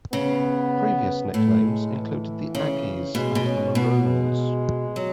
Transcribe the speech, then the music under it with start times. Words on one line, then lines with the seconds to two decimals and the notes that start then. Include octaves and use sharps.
Previous nicknames included the Aggies and the Maroons.
0.13 C#3 B3
1.34 A2 A3
1.64 G#3
1.94 E3
2.55 C#3
3.15 B2 G#3
3.35 B2
3.45 C#4
3.75 B2 B3
4.06 G#3
4.96 F#3